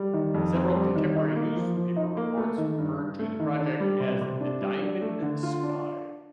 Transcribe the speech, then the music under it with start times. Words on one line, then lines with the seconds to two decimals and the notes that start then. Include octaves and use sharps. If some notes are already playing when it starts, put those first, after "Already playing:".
Several contemporary newspaper reports referred to the project as "The Diamond Spy".
Already playing: G3
0.14 D#3
0.34 F2
0.54 C4
0.75 G3
0.95 D#3
1.16 D#4
1.36 A#3
1.56 F3
1.77 F3
1.96 D#4
2.17 A#3
2.37 A3
2.58 D#3
2.78 G2
2.98 G2
3.19 A3
3.40 D#3
3.59 D4
3.80 G3
4.00 C3
4.21 C3
4.41 D4
4.61 G3
4.82 D4
5.02 A3
5.22 D3
5.43 F4
5.63 D4